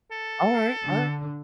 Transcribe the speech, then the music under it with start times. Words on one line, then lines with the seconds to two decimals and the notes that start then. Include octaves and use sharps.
Alright, alright.
0.11 A4
0.83 D3